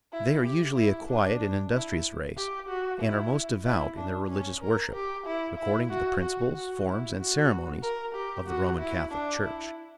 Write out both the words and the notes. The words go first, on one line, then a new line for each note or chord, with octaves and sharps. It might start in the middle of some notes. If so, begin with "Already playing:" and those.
They are usually a quiet and industrious race, and are most devout in their religious worship, according to the principles, forms, and ceremonies of the Roman Catholic Church.
E4
G4
E4
D4
E4
G4
F#4
E4
E4
D4
C#4
A#4
G4
E4
E4
F#4
F#4
F#4
E4
F#4
A#4
G4
F#4
E4
D4
E4